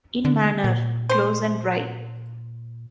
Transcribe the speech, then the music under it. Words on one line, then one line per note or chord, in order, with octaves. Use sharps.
In manner: close and dry.
D3
A#2
C5